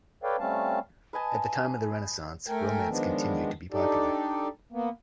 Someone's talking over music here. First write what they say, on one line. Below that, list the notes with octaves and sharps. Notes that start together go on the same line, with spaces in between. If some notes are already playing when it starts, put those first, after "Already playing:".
At the time of the Renaissance romance continued to be popular.
A4 B4 C#5 D5 F5 G5
G3 A3 C4 C#4 F5 A5
B4 D#5 G#5 A5
A3 A4 A#4 G5 G#5
D#3 F3 G#3 B3 D4
D4 D#4 G4 A4 D5
A#3 B3